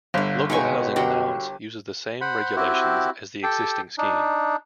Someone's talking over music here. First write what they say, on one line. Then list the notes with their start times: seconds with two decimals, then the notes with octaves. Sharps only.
Local Housing Allowance uses the same regulations as the existing scheme.
0.14 G1 D3 F5
0.50 B2 G#3 D#4 C#5 G5 G#5 C#6
0.96 D3 F#4 G4 A#4 C6
2.21 C5 F#5 B5
2.56 C4 E4 F#4 G4
3.43 G4 A4 G5
3.98 D4 D#4